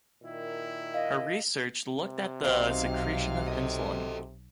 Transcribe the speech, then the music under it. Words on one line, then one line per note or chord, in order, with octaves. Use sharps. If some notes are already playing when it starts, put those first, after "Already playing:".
Her research looked at the secretion of insulin.
A#2 D#3 E4
D#5 F5
C3
B1 D#3 F#3 C4 F5
A4 D#5